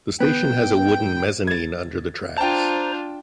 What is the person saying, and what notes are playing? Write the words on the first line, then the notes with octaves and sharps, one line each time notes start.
The station has a wooden mezzanine under the tracks.
B3 G5
G#6 A6
D4 F4 C5 G5 A5 A#5